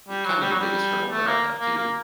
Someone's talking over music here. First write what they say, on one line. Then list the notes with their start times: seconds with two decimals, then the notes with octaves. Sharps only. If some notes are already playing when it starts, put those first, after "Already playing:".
kind of the biggest hurdle that I would have to,
0.08 G3
0.25 F#3
0.42 G3
0.51 F#3
0.60 G3
1.10 A3
1.27 A#3
1.60 A#3
1.77 A#3